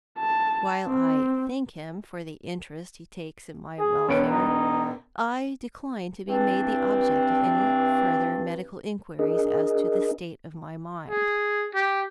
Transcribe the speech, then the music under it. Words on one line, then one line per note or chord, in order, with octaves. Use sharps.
While I thank him for the interest he takes in my welfare, I decline to be made the object of any further medical inquiries as to the state of my mind.
A5
C4
G#4
E1 B3 C#4 D7
D#4
G2 E3 C4 D4
D4 G#4 A#4 D#5
G#4
G4